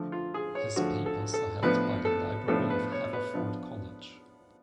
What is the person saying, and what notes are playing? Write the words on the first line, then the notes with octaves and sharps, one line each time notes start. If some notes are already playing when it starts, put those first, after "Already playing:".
His papers are held by the library of Haverford College.
Already playing: D3 F3 A3
F4
G#4
C#5
D3 F3 A3 F#4
A4
A4
A2 F3 B3 D4 B4
A4
A2 F3 B3 D4 A4
B4
C#5
B4
F3 B3 D4